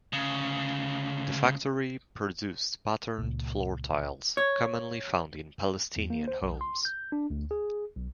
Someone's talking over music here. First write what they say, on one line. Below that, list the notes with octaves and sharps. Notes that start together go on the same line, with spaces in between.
The factory produced patterned floor tiles commonly found in Palestinian homes.
D2 C#3
C#2 A#2
C#5
E2
A#3
C5
B1
C6
G6
D4
D2
G#4
B1